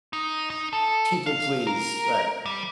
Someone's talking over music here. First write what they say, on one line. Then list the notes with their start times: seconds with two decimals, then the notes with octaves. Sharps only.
People please, right.
0.13 D#4
0.50 D#4
0.73 A4
1.26 F5
1.67 A#4
2.46 G3